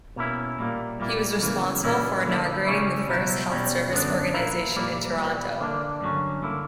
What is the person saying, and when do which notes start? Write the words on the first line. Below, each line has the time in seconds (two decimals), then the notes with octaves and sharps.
He was responsible for inaugurating the first health service organization in Toronto.
0.16 B2 A#3 C#4 E4
0.58 A#2 G3 A#3
1.00 A#2 G3 A#3 E4
1.42 E2 C#3 E3 A#3
1.83 A#2 G3 C#4 E4
2.25 D3 A#3 E4
2.67 C#3 G3 C#4 E4
3.08 B2 F#3 B3 E4
3.50 E2 B2 G3 C#4
3.92 F#2 D3 G3 B3 D4
4.34 A#2 A#3 E4
4.75 A#2 G3 A#3
5.18 A#2 G3 B3
5.60 D3 A#3 D4
6.01 G2 D3 F#3 C#4
6.43 D3 A#3 E4